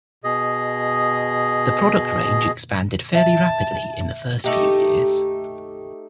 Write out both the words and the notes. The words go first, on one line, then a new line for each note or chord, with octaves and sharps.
The product range expanded fairly rapidly in the first few years.
B2 G#4 D#5
E5 A5
A3 D#4 G4